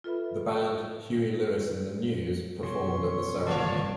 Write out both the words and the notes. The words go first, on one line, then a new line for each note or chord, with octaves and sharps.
The band Huey Lewis and the News performed at the ceremony.
F4 A4 B4 E5 B5
D#5
B2 F3 C#4 C6 C#6
G1 C2 F#2 A3 F4 C#5 D5 A5